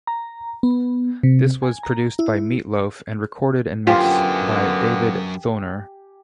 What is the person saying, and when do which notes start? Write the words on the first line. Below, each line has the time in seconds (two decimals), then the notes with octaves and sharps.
This was produced by Meat Loaf and recorded and mixed by David Thoener.
0.07 A#5
0.63 B3
1.23 C3
1.63 G#5
1.83 A#5
2.19 E4
3.87 F#2 D3 A#3 B3 F4 G4 G#5